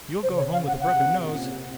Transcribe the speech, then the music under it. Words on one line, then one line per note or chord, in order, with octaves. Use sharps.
"You'll go home with a broken nose!"
C#3 C5
C#5
F5
F#5
C3 F#5
A#2
C3